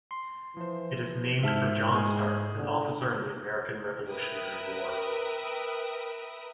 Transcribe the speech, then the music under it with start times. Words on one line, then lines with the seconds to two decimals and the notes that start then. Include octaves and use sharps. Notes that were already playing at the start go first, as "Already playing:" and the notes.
It is named for John Stark, an officer in the American Revolutionary War.
0.11 C6
0.57 E3 F3 C5
1.43 G#2 E5 A5 F6
1.94 A2 G#3 G#4 G#5
2.58 D3
4.07 A#4 B4 E5 G5 D#6